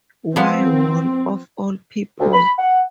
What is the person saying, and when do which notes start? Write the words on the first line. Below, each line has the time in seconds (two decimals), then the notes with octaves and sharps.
Why Wall, of all people?
0.36 F3 B3 C4
2.19 D2
2.33 B5
2.58 F#5